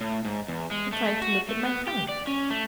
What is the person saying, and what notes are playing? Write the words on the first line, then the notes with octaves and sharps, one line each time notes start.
I tried to look at my tongue.
A2
G#2
E2
G#3
A3
F#4
A3
B3
G4
D5
C#4
A3